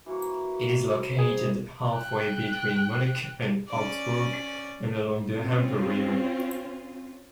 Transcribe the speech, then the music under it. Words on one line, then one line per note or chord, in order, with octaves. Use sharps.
It is located halfway between Munich and Augsburg, and along the Amper river.
E3 A#3 F#4 C#6
C4 G#4
G5 F#6
C#4 D5
C4 C#4 F4